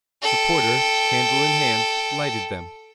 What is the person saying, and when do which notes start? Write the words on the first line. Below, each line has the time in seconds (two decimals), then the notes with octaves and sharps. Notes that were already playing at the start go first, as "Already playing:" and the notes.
The porter, candle in hand, lighted them.
0.23 A4 G5